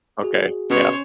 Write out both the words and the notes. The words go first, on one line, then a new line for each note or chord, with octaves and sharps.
Okay, yeah.
F#4 G#4
B2 C#4 C5 C#5